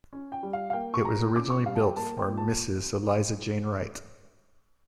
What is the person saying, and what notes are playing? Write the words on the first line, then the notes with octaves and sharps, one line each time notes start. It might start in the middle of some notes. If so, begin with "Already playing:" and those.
It was originally built for Mrs Eliza Jane Wright.
C#4
G5
G3
F5
F5
A#3 G5
C#6
A#2 A#5
C#4 D6
C#6
G3 F5
A5
G5
A#3 A5
G5
A#2
A5